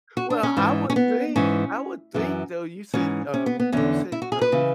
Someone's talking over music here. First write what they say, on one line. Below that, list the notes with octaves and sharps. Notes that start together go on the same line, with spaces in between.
Well, I would think, I would think, though, you said, um, you said, um
F#4
D4
C#4
G#2 E3
C#4
B3
G#2 E3 C#4
F#2 E3
G#2 E3 C#4
C#4
B3
B3
E2 D3 C#4
E4
F#4
G#4
B4
C#3 E3